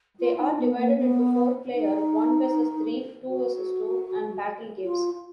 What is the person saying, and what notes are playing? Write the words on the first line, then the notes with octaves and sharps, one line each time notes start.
They are divided into four-player, one versus three, two versus two, and battle games.
F4
D#4
B3
A#3
B3
D#4
F#4
F4